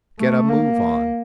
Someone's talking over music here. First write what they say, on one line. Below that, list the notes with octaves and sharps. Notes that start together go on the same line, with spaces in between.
"Get a move on!"...
A3
A#3